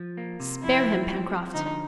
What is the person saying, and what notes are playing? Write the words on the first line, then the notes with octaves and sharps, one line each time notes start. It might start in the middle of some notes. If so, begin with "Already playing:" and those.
"Spare him, Pencroft."
Already playing: F3
A#3
C3
F2 E4
F3
C4
F3
D3 D#4